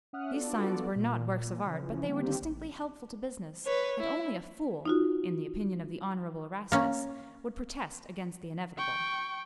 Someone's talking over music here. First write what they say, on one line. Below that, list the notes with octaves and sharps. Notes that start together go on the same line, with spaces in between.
These signs were not works of art, but they were distinctly helpful to business, and only a fool, in the opinion of the Honorable Erastus, would protest against the inevitable.
C#4 E5 F#5 D#6 F6 F#6
B3 D4 F4 F#4 A4 D5
A#2
C#3 E3 F3 C#4
D3 D#3 G3 A#3 C4 G4
A1
B4 C#5
E4
D#4 F4 F#4
A#3 C#4
G5 C#6